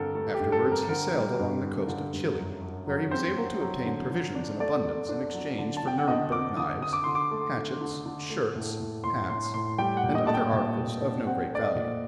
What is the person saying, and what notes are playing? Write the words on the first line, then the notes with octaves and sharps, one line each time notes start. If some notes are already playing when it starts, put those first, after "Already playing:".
Afterwards he sailed along the coast of Chili, where he was able to obtain provisions in abundance in exchange for Nuremberg knives, hatchets, shirts, hats, and other articles of no great value.
Already playing: G2 D3 C4 A4 A#4
A3 A4
G4
G2
A4
C4
A#4
D3 A#4
G3
G2
D3
D3
G2
F#2
F#2
F#3
C4 C5
F#3
F#3
D3
D3
D4
A3 D5
A3
D4
F#3
D3
A5
D3 G5
F#5
D3 D#5
C4 D6
D3 D#6
D3 D#6
D6
D3 C6
D6
A3
D3
D3
D3
A3
A2
A2
A2 C6
A2 C6
A2 C6
G3 G5
F#5
A#2
D#5
D4 A5
G5
A#2 G5
A#2
D4
C4 F#5
A3 D5
D#5
A#2